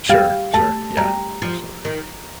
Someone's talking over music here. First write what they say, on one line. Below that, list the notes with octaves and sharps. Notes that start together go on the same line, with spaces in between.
Sure, sure, yeah, absolutely.
G3 F5
A3 A5
G3 A#5
F3
D#3